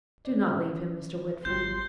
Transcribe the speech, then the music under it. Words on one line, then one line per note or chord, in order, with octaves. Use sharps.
"Do not leave him, Mr. Whitford."
C#4 D5
G#1 F#3 G3 F4 C6 G6